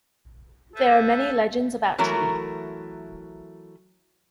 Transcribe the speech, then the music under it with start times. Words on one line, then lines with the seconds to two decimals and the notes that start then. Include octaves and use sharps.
There are many legends about tea.
0.75 A4 B4 C5 E5
1.98 E3 F#3 A3 A#4